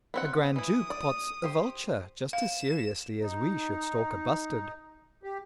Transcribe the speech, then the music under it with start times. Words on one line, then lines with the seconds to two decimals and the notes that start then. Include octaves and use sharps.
A Grand Duke pots a vulture just as seriously as we should stalk a bustard.
0.14 B3 C4 F#5
0.56 E3 E4 D#6
0.90 D5
1.44 G4 C5
2.33 F5 E7
3.22 D#4
5.23 G4